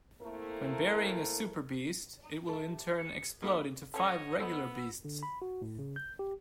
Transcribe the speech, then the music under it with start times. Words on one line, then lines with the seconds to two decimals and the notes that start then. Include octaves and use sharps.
When burying a "super-beast" it will in turn explode into five regular beasts.
0.21 A3 A#3 C4 E4 A4 A#4
2.49 A4 E5
2.98 C#7
3.42 B2 A#3 D4 A4 B5
3.94 A3 C#4 A4 C#5 D#5 F#5 D#6
4.40 B3 A4 C5 D#5 F#5 E6
5.05 D3
5.23 B5
5.42 F#4
5.62 A2
5.79 C#3
5.96 G6
6.19 G4